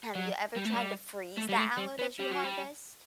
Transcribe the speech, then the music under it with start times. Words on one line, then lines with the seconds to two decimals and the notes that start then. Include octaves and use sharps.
have you ever tried to freeze the aloe that you harvest?
0.15 F#3
0.56 G3
0.65 A3
0.74 G3
1.37 A3
1.49 G3
1.58 A3
1.78 G3
1.99 B3
2.19 G3
2.31 F#3
2.44 G3